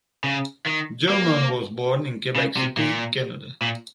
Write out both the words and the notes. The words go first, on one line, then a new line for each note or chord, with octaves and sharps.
Gillman was born in Quebec City, Canada.
C#3
D#3
A#3
C#3
C3
A#2
A#2